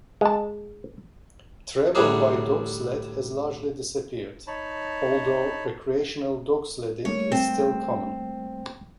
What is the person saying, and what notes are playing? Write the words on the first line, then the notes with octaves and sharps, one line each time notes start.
Travel by dog sled has largely disappeared, although recreational dog-sledding is still common.
G#3 A5
A2 D3 F#3 G3 D4 G#4
D#4 C#5 A5 B5
G3 A3 A#3 C#5
C4